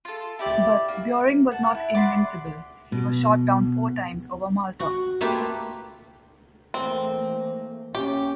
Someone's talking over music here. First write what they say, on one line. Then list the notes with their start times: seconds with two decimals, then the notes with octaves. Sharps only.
But Beurling was not invincible; he was shot down four times over Malta.
0.05 F4 A4
0.39 E4 G4 D5
0.88 A#3
1.52 F#5 A5
1.75 E4
1.95 D5 F#5 B5 C6
2.92 B2
4.80 F#4
5.21 A3 A#3 F4 G4 B4
6.74 E3 A3 A#3 C4
7.95 A#3 C#4 G4